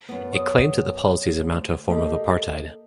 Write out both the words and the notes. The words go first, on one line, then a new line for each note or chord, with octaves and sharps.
It claims that the policies amount to a form of apartheid.
F#2 B3
C#5 D#6
D2
A#3 G4 A4 D#5